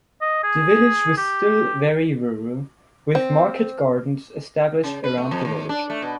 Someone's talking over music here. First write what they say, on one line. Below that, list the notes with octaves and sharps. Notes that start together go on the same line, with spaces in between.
The village was still very rural, with market gardens established around the village.
D#5
G#4
G4
C4
C#3
B4
A3
F2
D#2
D4
A3
B2